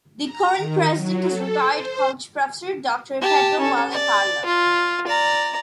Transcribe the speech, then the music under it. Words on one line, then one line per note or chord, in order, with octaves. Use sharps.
The current president is retired college professor Doctor Pedro Valle Carlo.
A#5
D#3
F#3
A4
C5
G4 A5
C#4 A4
D5
F4
D5 A#5